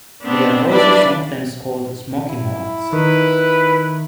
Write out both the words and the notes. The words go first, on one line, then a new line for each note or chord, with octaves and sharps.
They are also sometimes called smoky moths.
B3 C4 D4
D4 E4 B4 D5
E4
D#3 B4